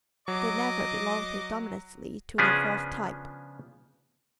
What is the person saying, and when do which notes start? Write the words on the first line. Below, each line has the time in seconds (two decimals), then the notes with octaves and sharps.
They never belong predominately to the fourth type.
0.28 F#3 D#5 D6
2.38 C#3 F3 B3 C#4 D4 G#4